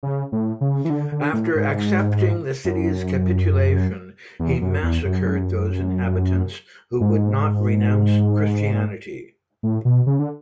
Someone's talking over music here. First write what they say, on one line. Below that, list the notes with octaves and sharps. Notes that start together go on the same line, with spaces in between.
After accepting the city's capitulation, he massacred those inhabitants who would not renounce Christianity.
C#3
A2
C#3
E3
D3
D3
A2
G#2
F#2
E2
F#2
E2
F#2
G#2
A2
B2
C#3
D3